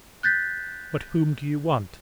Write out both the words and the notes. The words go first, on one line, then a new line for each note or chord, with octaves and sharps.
But whom do you want?
F#6 G6 A6 B6